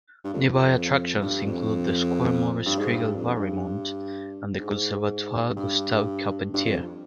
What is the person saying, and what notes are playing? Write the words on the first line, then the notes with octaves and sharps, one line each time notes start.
Nearby attractions include the Square Maurice Kriegel-Valrimont and the Conservatoire Gustave Charpentier.
G2
F2
F2
G2
F2
G2
G#2
G2
F2
G#2
G2
G#2
G2
G2
F2